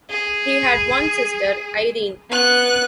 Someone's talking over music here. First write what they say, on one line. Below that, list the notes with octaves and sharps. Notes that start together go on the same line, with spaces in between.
He had one sister, Irene.
G#4
B3 F#6